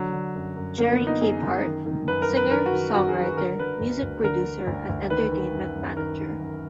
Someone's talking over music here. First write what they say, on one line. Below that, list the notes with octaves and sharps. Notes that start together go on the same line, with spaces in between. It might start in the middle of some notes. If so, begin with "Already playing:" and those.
Jerry Capehart - Singer, Songwriter, Music Producer and Entertainment Manager.
Already playing: D3 F#3
D3
F#2
F#2
D3 A#3
B3
D3
D#4
F#2 G#4
F#2
D#3
D#3
F#2 B4
A#4
F#2
B4
D#3 A#4
F#4
D#3
F#2 F#4
G#4
F#2
B4
D3 A#4
D3 B4
D2
D2
D3 A#4
D3
D2
D2
D#3 B4
D#3
F#2
F#2
D#3 A#4
D#3
F#2